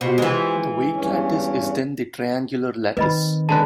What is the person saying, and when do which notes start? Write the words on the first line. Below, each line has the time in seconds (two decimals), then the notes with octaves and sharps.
The weight lattice is then the triangular lattice.
0.01 B2 F4 G4 C5
0.18 E3 G#3
0.91 E2 G2 C#4
2.97 D#3 C4 B4 D#5 B5
3.49 D3 G#3 B4 A5